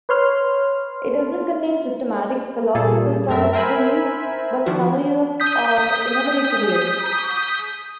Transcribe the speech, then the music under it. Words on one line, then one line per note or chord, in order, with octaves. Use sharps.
It does not contain systematic philosophical treatises, but summaries or enumerated lists.
B4 C#5 C6 F6
A#2 G3 G#4 A4
F#2 A3 A#4 E5
A#4 C5 E5 G#5 B5
D#3 F3 D4 F#4
D#6 G6 B6